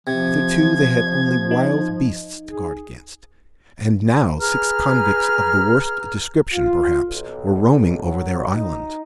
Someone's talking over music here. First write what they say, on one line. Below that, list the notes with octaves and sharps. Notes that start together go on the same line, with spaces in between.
Hitherto they had only wild beasts to guard against, and now six convicts of the worst description, perhaps, were roaming over their island.
C3 F3 G#6
D#4
G#4
G#4 B4 A#5 F6
F4
B1
F#3
D#4